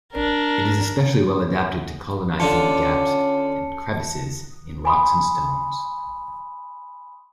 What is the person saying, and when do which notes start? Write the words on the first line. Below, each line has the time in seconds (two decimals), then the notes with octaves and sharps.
It is especially well adapted to colonising gaps and crevices in rocks and stones.
0.12 D4 A#4
2.40 D3 C#4 D4 F4 A5 C#7
4.85 G#5 B5 C6 D#6